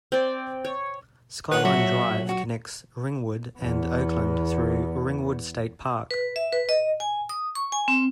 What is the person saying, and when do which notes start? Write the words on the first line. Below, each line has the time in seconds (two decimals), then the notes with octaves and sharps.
Skyline Drive connects Ringwood and Oakland through Ringwood State Park.
0.12 C4 D5
0.65 C#5
1.51 A#1 B4 C#5 F#5
1.65 F#3 F#4 E5
2.29 F#4
3.58 E2 B3
6.11 B4
6.36 E5
6.52 B4
6.69 D#5
7.00 G#5
7.29 D#6
7.55 C#6
7.72 G#5
7.88 C4